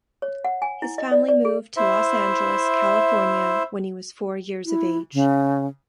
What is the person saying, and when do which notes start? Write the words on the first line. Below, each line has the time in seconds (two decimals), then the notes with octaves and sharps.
His family moved to Los Angeles, California when he was four years of age.
0.22 C#5
0.44 F#5
0.62 G#5
0.82 E4
0.98 D#5
1.11 D5
1.28 D5
1.45 G#4
1.77 E4 C5 E5
4.66 E4
5.14 C#3